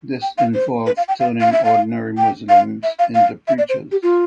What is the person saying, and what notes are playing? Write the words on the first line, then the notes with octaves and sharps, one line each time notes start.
This involved turning ordinary Muslims into preachers.
G5
F5
C5
B4
F5
G5
F5
F5
E5
F5
G5
F5
E5
F5
F5
E5
D5
C5
G4
F4